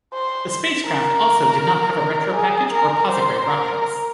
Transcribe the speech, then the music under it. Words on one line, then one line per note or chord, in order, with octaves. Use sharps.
The spacecraft also did not have a retro package or posigrade rockets.
C5
A#4
G#4
A#4
C5
A#4